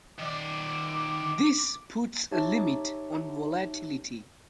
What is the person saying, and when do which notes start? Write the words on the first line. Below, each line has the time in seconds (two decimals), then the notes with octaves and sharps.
This puts a limit on volatility.
0.18 D#3 D5 D6
2.31 D#4 G4 C#5 E5 A5